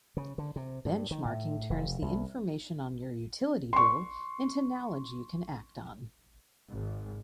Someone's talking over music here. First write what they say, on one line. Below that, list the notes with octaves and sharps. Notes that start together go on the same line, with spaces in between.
Benchmarking turns the information on your utility bill into knowledge you can act on.
C#3
D3
C3
G2
D#3
A2
F1
C2
C6 C#6
G#1